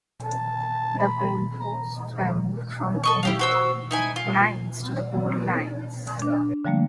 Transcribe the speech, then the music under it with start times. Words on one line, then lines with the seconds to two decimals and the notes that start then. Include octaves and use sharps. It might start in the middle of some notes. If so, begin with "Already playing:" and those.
The goal posts were moved from the endlines to the goal lines.
0.24 A5
0.99 B5
1.60 A#5
3.04 A4 D#5 C#6
3.23 E4 G4 F5
3.39 F#4 C5 E6
3.91 D#4 E4 G#5
4.16 F4
6.22 D4
6.65 D3 F3 G3 A3 A#3